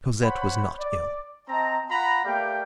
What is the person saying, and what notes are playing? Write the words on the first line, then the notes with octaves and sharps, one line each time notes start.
Cosette was not ill.
C5 C#5 F#5 B5
D5
C4 D#5 A5 A#5
F4 F#5 A#5 B5
A3 A#3 G4 D5 F5 G5